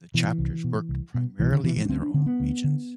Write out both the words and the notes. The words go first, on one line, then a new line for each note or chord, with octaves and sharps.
The chapters worked primarily in their own regions.
B2 E3
C2
B2
C2
B2
C2 E3
D3
B2 E3
E3
D4
D2 C4
D4
D3 C4
B3
D2
D3